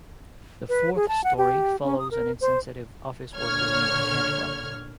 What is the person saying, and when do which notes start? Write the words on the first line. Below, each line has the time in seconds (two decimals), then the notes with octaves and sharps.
The fourth story follows an insensitive office worker named Cantwell.
0.69 B4
0.96 G#4
1.08 A5
1.24 F#5
1.38 G4
1.84 C#4
1.98 D#6
2.11 A#4
2.41 C5
3.36 A#2 D3 C#5 F6 G#6